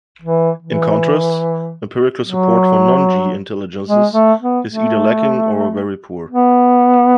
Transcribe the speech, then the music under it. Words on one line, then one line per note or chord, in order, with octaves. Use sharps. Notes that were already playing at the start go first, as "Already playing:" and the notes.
In contrast, empirical support for non-"g" intelligences is either lacking or very poor.
E3
E3
F#3
G#3
A3
B3
A3
B3